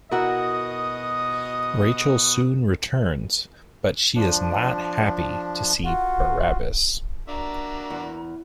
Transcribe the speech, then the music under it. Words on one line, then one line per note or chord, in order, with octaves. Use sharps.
Rachel soon returns, but she is not happy to see Barabbas.
B2 E4 F#4 A#4 D#5 F#5 D#6
F3 D4
F4 F#4 F#5
A#3 D4 F#4 E5 A#5
E2